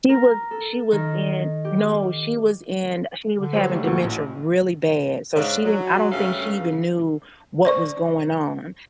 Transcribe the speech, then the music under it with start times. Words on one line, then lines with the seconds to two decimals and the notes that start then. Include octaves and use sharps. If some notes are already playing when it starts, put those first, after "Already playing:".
She was she was in no, she was in she was having dementia really bad, so she didn't I don't think she even knew what was going on,
0.09 A#4
0.51 A4
0.92 D#3
1.65 G4
3.39 D3
3.53 F#3 G4 C5
3.72 G3 A3
3.83 D2 A#2 F#4
4.02 A1 A2
5.36 G#2 C#3 D4
5.64 F#3
6.11 G2 C#3 A3 C#4 A4 F5
7.65 C5 D5 C#6